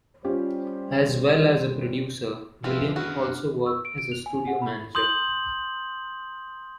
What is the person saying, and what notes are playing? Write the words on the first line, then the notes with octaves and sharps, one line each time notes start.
As well as a producer, William also worked as a studio manager.
G3 C#4 F4 G4 C5
F3 G#3 C4 B4 E5 F5
F#2 B3 D4 F#4 F6 F#6
E6
D7
D7
F7
G#5
F#5
B5
C6 D#6 G6 F#7